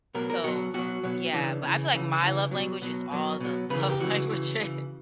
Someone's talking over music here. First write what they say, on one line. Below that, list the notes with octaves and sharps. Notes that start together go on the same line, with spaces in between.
So, yeah, but I feel like my love language is all the love languages.
B2 F#3 A#4
A#4
B2 F#3 F#4
B2 F#3 F#4
B2 F#3
C#3 E3 D4
C#3 E3 C#4
C#3 E3
C#3 E3
B2 F#3
B2 F#3
B2 F#3
B2 F#3
C#3 E3 B4
A#4
G4
C#3 E3 F#4
C#3 E3
C#3 E3